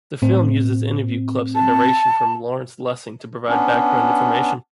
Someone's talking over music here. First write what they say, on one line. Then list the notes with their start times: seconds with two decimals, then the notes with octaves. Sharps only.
The film uses interview clips and narration from Lawrence Lessig to provide background information.
0.22 A2 C4
1.55 A5
3.49 B3 C#4 D4